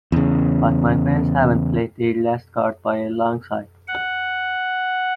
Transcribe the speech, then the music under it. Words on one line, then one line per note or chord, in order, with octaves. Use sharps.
But my friends haven’t played their last card by a long sight.
E2 C#3
F#5